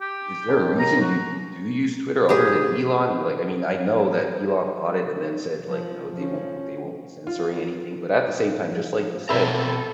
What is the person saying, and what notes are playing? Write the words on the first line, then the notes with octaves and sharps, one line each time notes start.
is there a reason you do use Twitter other than Elon? Like, I mean, I know that Elon bought it and then said, like, you know, they won't they won't be censoring anything, but at the same time, just like you said,
G4
D#2
A#5
F#4
G4 G#4
F3
F3 C#4
F4
F3
B2 C4 A4 E5 A#5 B5 E6